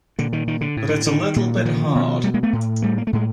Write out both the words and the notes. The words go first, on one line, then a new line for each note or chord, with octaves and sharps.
But it's a little bit hard.
A#2 D3
D#3
D#3
D3
A2
D3
D#3
A#2
F#3
D#3 F3
B2
G3 A3
G#3 A#3
A3 B3
A2
G3 A3
A#3
A3
A2 G#3